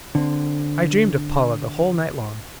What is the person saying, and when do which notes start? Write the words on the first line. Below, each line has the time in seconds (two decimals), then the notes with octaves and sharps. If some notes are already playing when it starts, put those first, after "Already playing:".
I dreamed of Paula the whole night long.
0.15 D3 C4